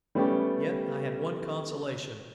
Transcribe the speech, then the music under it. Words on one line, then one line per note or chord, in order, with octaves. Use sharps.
Yet I had one consolation.
G3 A3 B3 C#4 G4